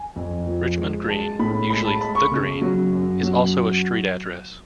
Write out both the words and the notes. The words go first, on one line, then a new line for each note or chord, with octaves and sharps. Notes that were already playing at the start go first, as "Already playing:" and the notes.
Richmond Green, usually "The Green", is also a street address.
Already playing: G#5
F2
F3
G#3
G#3 A5
A2 B5
G#3 B5
A5
G#3 B5
C#6
C#3
F#3
F#2
F#3